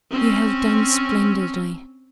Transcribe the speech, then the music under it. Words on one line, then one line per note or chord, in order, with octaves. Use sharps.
"You have done splendidly."
C4 C#4